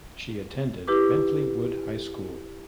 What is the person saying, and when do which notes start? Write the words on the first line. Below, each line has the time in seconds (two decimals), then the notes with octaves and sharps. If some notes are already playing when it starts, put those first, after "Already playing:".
She attended Bentley Wood High School.
0.87 E4 G4 B4 D6